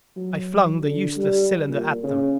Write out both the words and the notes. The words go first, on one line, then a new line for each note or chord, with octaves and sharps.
I flung the useless cylinder at them.
F#3
D3
G3
A#2
C#3